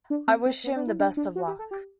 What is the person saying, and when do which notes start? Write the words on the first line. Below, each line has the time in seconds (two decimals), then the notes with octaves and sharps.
I wish him the best of luck.
0.10 D4
0.28 C4
0.46 C4
0.64 B3
0.76 D4
0.87 E4
0.99 D4
1.17 D4
1.36 F#4
1.48 G4
1.59 A4
1.71 G4